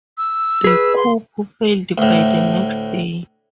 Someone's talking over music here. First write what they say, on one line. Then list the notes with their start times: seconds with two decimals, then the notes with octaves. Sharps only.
The coup failed by the next day.
0.18 E6
0.64 G#4 B4
0.96 C6
1.98 D2 A2